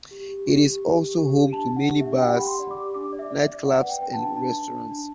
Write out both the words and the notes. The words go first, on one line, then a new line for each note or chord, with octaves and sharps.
It is also home to many bars, nightclubs and restaurants.
G4
G4
G4
G4
G4
G4
G4
G4
D4 A5
D4
F#5
G4
E5
D4
G5
G4 F#5
G4 B5
C6
D5
D6
G4
D4 D6
D5
E5
D5
E5
D5
D5 F#5
B4 F#5
G5
B4 G5
A5
D4
D4 A5
D4
D4
D4